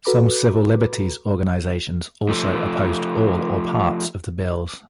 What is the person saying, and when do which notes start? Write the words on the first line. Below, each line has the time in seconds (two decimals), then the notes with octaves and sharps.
Some civil liberties organisations also opposed all or parts of the bills.
0.05 F#4 A4 B4 A#5 B5 D6
2.29 F3 A3